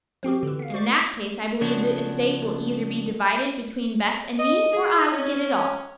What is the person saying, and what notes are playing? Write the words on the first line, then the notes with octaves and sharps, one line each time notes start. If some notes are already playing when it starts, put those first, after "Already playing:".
In that case I believe the estate will either be divided between Beth and me, or I will get it all.
F3 C4 F#4 G4
D3 E3
B3 F5
F#4 C5 D5 C#6 D6 C7
C#3 F3 B3 C#4 D4 F#4
D#5
G#4
C#4